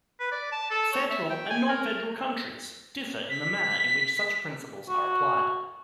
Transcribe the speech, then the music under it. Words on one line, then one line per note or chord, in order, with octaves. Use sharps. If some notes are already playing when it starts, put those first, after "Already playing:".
Federal and non-federal countries differ in the manner in which such principles are applied.
B4
D5
A5
A4
C#5
E5
G5
G#5
A#4
B6
F#4